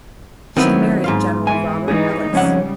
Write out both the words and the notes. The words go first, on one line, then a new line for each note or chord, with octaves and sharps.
She married General Robert Ellice.
D#3 F#3 B3 C4 E4
G#2 F4 F5
E3 G#5
E3 G#3 D#4 G#4
F2 C#3 G3 C#4 F#5